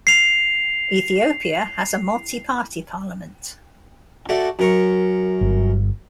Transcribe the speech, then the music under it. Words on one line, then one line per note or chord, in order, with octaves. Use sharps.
Ethiopia has a multi-party parliament.
C7 F7
A3 F#4 D5
F#2 A#4 C#6
G1